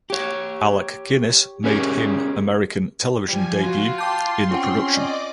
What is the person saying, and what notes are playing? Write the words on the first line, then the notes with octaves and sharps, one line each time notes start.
Alec Guinness made him American television debut in the production.
G4 C#5
C#4 G4 G#4 A#4 C#5
F3 G3 G#5
F4 F#4
G5 A5 C6 D6 G6
C4 C#4 F4 F#5
D5 D#5 D6